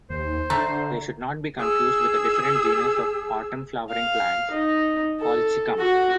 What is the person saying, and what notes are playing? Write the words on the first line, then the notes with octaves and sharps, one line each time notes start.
They should not be confused with a different genus of autumn-flowering plants, "Colchicum".
D#2 C5
D3 A3 A#5
G#4 E6
F5
D#4
A4
F#4